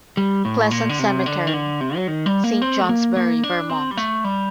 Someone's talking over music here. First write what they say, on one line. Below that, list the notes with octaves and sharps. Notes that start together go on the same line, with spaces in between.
Pleasant Cemetery, Saint Johnsbury, Vermont.
G3
A2
A#2
D3
C3
D3
D#3
D3
C3
F#3
D#3
G3
A#3
C4
A3
A#3
A#3
D4
C4
G3
A3
G3